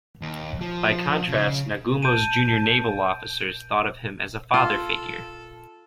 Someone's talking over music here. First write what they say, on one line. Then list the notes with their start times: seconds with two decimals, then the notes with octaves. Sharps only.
By contrast, Nagumo's junior naval officers thought of him as a father figure.
0.22 D#2
0.61 F3
1.29 C#3
2.02 A5 G6 D7 D#7
4.54 F4 A4